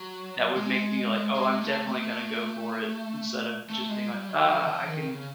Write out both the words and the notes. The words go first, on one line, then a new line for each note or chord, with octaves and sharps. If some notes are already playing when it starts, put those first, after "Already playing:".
that would make me, like, "Oh, I'm definitely gonna go for it," instead of just being like, "Ah, I can
Already playing: F#3
G#3
G#3
A3
A3
A3
G#3
G3
F#3
F3
F3
D#3
C#3